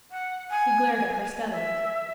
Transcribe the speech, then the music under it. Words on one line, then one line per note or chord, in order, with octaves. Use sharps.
He glared at her steadily.
F#5
G#5
E5